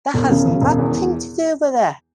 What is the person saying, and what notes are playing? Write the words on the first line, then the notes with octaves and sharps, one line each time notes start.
That has nothing to do with it!
E1
C#3
C#3
E1
E2